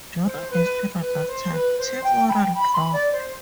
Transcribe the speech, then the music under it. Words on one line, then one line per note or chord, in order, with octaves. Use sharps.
During this period of time, team morale dropped.
C5
B4
B4
C5
B4
C5
G5
B5
G5
B5
C6
B5
D5
C5